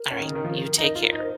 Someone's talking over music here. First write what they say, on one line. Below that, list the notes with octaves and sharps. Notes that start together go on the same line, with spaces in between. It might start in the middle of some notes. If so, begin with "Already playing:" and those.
Alright, you take care.
Already playing: A#4
C#4
D#3
C#3
D#3
F3
D#4
F4
D#4 A#4
C5